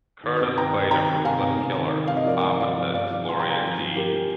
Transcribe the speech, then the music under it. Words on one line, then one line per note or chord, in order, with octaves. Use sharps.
Curtis played a ruthless killer opposite Gloria Jean.
D#3
C3
D#3 G5 A#5
C3
D#3 G5 A#5
D#3
C3 F5 G#5
C3
C3
D#3
D#3
C3 F5
D#5
F3 A#4 D5
F3
F3 D5 F5
F3
C3 D5 F5
F3
F3 G#5 C6
G5 A#5
C3
F5 G#5
F3
F3
F3 G4 A#4
F3